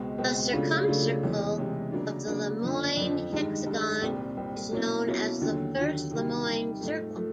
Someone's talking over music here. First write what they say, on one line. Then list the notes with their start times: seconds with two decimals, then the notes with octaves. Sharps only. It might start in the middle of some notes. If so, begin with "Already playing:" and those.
The circumcircle of the Lemoine hexagon is known as the first Lemoine circle.
Already playing: C#2 B2 G#3 C4
0.18 C#2 B2 G#3 C4
0.53 C#3 F#3 A3 D4 F4
0.88 C#3 F#3 A3 D4 F4
1.23 E2 C3 E3 G#3 C#4
1.58 E2 C3 E3 G#3 C#4
1.92 C#3 F#3 A#3 D4
2.27 C#3 F#3 A#3 D4
2.62 F2 D3 F3
2.97 F2 D3 F3
3.32 G2 D#3 G#3
3.67 G2 D#3 G#3
4.02 C2 A#2 G3 C4
4.37 C2 A#2 G3 C4
4.71 B2 F#3 A#3 C#4 E4
5.07 B2 F#3 A#3 C#4 E4
5.41 D#2 D3 F#3
5.76 D#2 D3 F#3
6.11 C3 D#3 G3
6.46 C3 D#3 G3
6.81 G#2 F3 A3
7.16 F3 A3